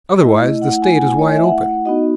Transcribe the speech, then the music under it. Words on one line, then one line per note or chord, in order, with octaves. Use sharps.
Otherwise, the state is wide open!
A3 E4 D#5
D#5
F#5
G#5
F#5
G#5
C#5
D#5
E5
F#5
B3 D#4 F#4 D#5